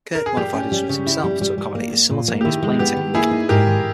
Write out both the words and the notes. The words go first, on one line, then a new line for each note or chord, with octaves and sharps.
Kirk modified instruments himself to accommodate his simultaneous playing technique.
A#4
G#4
G3 G4
C#4
G3
C#3
E4
G3
G3
G3
A#3
A#3
A#2
A#3
G4
D#3 E4
G#3
B3 G4
D#3
A#3 E4 G#4
D#4
G#2 G4 A#4
D#3